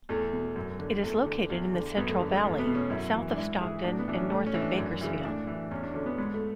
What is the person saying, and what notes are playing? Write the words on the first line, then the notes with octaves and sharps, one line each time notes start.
It is located in the Central Valley, south of Stockton and north of Bakersfield.
E2 A3
B2
F#2
D3
E2 A3
D3
E2
D3
F#2 B3
A3
D3 A3
G#3
E2 A3
B3
B2
C#4
F#2 E4
E3
D4
G#2 E4
E3 G#4
A2 D4
B3
E3 D4
C#4
A2 A3
C#4
E3
D4
F#2
C#3 E3
A2 D4
E3
E2 C#4
D4
D3 C#4
B3
G#2 B3
A3